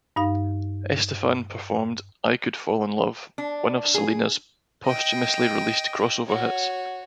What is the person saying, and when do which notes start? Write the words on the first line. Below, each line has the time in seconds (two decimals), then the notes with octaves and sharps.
Estefan performed "I Could Fall in Love", one of Selena's posthumously released crossover hits.
0.16 G2 D#4 F5
3.38 D4
3.94 G#4
4.85 D#5 G5
6.26 F#4 C#5